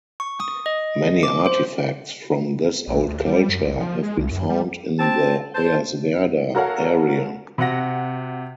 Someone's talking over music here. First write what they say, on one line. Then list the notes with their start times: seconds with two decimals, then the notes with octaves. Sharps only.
Many artifacts from this old culture have been found in the Hoyerswerda area.
0.20 C#6
0.40 D#6
0.66 D#5
1.23 D6
1.46 C5
2.87 A#1
3.08 D2
3.26 G3
3.49 F#2
3.64 C2
3.80 F3
4.03 G#3
4.18 C2
4.31 F#2
4.50 G3
4.99 C4 A5
5.55 C5 A5
6.55 F#4 A4 A#4 C#5 F5 F#5
7.58 C3 F#4 F#5 A#6